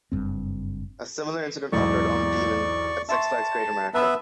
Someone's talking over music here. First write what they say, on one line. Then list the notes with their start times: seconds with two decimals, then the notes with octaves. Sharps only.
A similar incident occurred on Demon at Six Flags Great America.
0.12 F#1 G2 C4
1.72 B1 E2 G#2 D5 C#6
3.09 E5 A5 C6 C#6
3.94 B3 B4 E5 A5 B5 E6